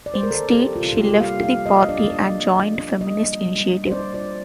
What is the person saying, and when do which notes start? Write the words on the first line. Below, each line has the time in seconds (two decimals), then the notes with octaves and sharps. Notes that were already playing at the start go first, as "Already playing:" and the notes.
Instead, she left the party and joined Feminist Initiative.
0.06 D5
0.14 C5
0.23 A#4
0.31 D#3 A4
0.53 C4 G4
0.76 C3 F4
0.98 G3 G4
1.20 A#3 F5
1.43 F3 F5
1.66 F3 D#5
1.89 D4 D5
2.10 A#3 D#5
2.34 F3
2.56 F3
2.79 D4
3.01 A#3 D#5
3.24 G3
3.46 G3
3.69 D4
3.86 C5
3.91 G3 D5
4.13 F4 D5